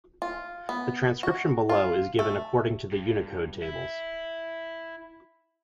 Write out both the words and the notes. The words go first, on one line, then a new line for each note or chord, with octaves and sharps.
The transcription below is given according to the Unicode tables.
F4
B3
F#4
F4
A3
G2
E4